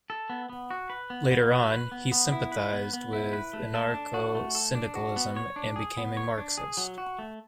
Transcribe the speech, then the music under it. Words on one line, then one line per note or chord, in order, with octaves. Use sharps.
Later on, he sympathised with Anarcho-Syndicalism and became a Marxist.
A4
B3
B3
F#4
B4
B3
B3
F#4
B4
B3
B3
E4
B4
B3
B3
E4
B4
A3
A4
D4
F#4
A3
A4
D4
F#4
B3
C#5
D4
G#4
B3
C#5
D4
G#4
F#3
F#4
A3